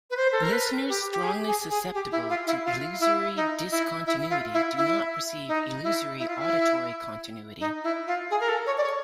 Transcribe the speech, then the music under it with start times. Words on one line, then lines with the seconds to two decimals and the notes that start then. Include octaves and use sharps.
Listeners strongly susceptible to illusory discontinuity do not perceive illusory auditory continuity.
0.10 B4
0.17 C5
0.32 A4
0.42 A#4
0.53 B4
0.88 G4
1.12 G4
1.24 G#4
1.47 G#4
1.70 G#4
1.94 G4
2.12 E4
2.29 F4
2.47 E4
2.65 F4
3.00 E4
3.36 D#4
3.71 E4
4.06 E4
4.30 F4
4.53 E4
4.77 E4
5.48 D#4
5.84 E4
6.19 E4
6.28 F4
6.37 E4
7.60 D#4
7.84 E4
8.07 F4
8.31 G#4
8.40 A#4
8.49 A4
8.66 C#5
8.78 D5
8.84 C#5